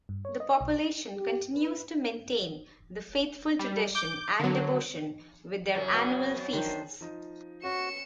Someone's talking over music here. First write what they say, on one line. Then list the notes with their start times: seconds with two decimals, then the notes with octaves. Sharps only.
The population continues to maintain the faithful tradition and devotion, with their annual feasts.
0.09 G2
0.25 C#5
0.40 D#5
0.61 B1
1.15 G4
1.54 B4
3.59 G3
3.95 D6 G6
4.39 D3 F#3
5.74 F#2 C#3 F#3
5.92 B3 F#4 G5
6.36 F#2
6.53 D#3 D4 C5
7.01 F3 D#4
7.64 C#4 F#4 C#7 E7